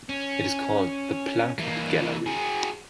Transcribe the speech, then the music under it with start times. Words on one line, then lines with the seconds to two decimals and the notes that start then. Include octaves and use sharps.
It is called The Plunkett Gallery.
0.09 C#4
1.59 E3 A#3
2.26 F#4 G#4